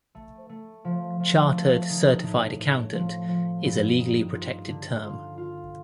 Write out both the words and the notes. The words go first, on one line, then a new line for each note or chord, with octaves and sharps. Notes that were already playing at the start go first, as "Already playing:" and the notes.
Chartered Certified Accountant is a legally protected term.
A3
A3
F3
F3
A3
D#3
A2
A2
F3
F3
G2
D#3
F4
D3
F4
F4